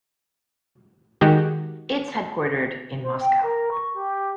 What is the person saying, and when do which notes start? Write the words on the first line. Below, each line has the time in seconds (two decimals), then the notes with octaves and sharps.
It is headquartered in Moscow.
1.21 D#3 G#3 F#4 G4
3.02 C5
3.20 G5
3.42 A#4
3.71 C#6
3.94 G4